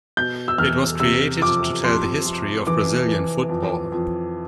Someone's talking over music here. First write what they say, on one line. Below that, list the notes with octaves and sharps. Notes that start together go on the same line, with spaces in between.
It was created to tell the history of Brazilian football.
B2 G6
E6
E2 F6
C3 E6
F2 D6
F2 C6
F2
E3 D6
E3
F2
F2